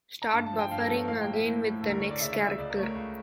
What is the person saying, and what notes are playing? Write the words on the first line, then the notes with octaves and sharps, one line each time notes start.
Start buffering again with the next character.
A#5
G2 A5
A5
F3
G5
G2 F5
A4
A#4
F3
C#5
A2 F5
G5
A#3
E5
A2
A2
D2 A4
A#4
D2 C#5
D5
C#3 E5
E5
C#3
E5
C#2 D5
A#4
A3 C#5
A#4
C#2